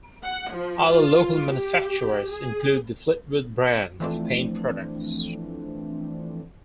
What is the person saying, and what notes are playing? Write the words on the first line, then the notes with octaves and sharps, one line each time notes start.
Other local manufacturers include the Fleetwood brand of paint products.
F#5
F3
F4
G4
G#4
E3 F3 A3 C4 D4